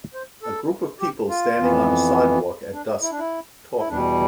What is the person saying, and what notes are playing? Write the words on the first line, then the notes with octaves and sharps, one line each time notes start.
A group of people standing on a sidewalk at dusk talking.
C5
A4
G4
F4
F2 E3 B3
D4
E4
D4
E4
E4
E2 B2 G3 D4